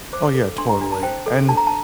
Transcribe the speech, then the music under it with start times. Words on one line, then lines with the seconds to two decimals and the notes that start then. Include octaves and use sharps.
Oh, yeah, totally. And f
0.13 C5 D6
0.35 A4
0.58 D4 C6
0.69 A#5
0.81 D4
0.92 A5
1.03 C5 G5
1.26 A4
1.48 D4 A5
1.57 A#5
1.67 A5